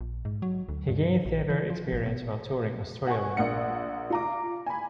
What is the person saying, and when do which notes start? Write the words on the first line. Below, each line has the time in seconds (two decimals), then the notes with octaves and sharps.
He gained theatre experience while touring Australia.
0.01 A#1
0.25 G#2
0.42 F#3
0.69 D2
0.88 G2
1.26 A#1
1.50 E3
1.70 F3
1.92 G#1
2.06 B2
3.07 F#5 G#5 C#6
3.37 A#1 A#3 F#5 C#7
4.10 F4 A#5 D6
4.66 G#5 B5